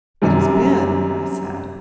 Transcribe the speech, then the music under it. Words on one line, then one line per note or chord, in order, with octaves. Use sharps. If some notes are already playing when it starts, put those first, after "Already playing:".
"It has been," I said.
F#2 C3 D#3 G3